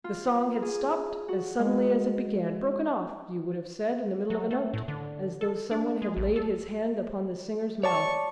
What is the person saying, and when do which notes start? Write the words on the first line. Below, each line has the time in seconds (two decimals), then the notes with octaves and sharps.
The song had stopped as suddenly as it began--broken off, you would have said, in the middle of a note, as though someone had laid his hand upon the singer's mouth.
0.04 F4
0.62 G#4
1.28 F#4
1.59 G#3
4.30 F#3
4.51 A3
4.73 A2
4.88 D3
5.41 A4
5.71 D4
6.02 G#3
6.17 A1
6.36 A4
7.83 C#5 D5 A5 C#6